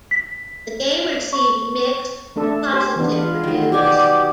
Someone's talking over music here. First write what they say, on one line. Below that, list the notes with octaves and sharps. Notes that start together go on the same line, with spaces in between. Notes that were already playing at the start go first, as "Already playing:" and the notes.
The game received mixed to positive reviews.
B6
C#6
A3 D4 A4
G4 C5
E3 B3 D4
F4 B4
D#3 F#3
B2 G4 D5 G#5